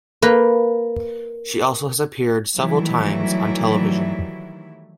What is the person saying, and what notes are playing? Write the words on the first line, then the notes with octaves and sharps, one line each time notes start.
She has also appeared several times on television.
A#3 B4
D#3 E3 F#3 G3 A3 E4